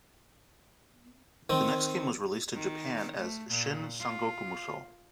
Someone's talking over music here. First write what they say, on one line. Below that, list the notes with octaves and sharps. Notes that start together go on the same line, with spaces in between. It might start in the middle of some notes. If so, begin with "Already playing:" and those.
The next game was released in Japan as "Shin Sangokumusou".
D#3 C4
D#3
A3
A#2
F4